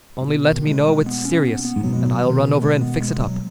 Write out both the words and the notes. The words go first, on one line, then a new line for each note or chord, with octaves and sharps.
Only let me know it's serious, and I'll run over and fix it up.
G#2
B2
D#3
G#3
G#3
B3
C#4
B3
B3
G#2
B2 F#3
G#3
F#3
D#3
G#3
B3
G#3
F#3